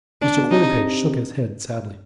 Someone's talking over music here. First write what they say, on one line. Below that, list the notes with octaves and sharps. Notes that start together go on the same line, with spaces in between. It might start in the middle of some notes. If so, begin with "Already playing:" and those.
Mr. Quarterpage shook his head sadly.
D4
B2
C3 D#4